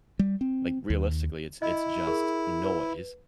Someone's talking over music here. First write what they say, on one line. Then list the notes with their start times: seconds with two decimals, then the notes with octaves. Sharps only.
like realistically it's it's just noise,
0.19 G3
0.41 C4
0.90 D#2
1.62 E4 D#5
2.07 G#4 A#4
2.65 B4